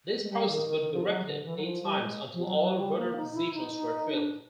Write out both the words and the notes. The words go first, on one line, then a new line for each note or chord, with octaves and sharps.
This process would be repeated eight times until all rotor positions were filled.
G#3
G3
D#3
D#3
D#3
F3
F#3
D3
E3
F#3
F3
G3
G#3
F3
F#3
F#3
G3
A#3
D#4
E4
D#4
D#4
D4